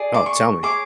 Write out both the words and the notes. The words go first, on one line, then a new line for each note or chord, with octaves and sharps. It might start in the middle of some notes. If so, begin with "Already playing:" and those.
Oh, tell me.
Already playing: G#4 D5
D6
C#6
G#4 C#5 D6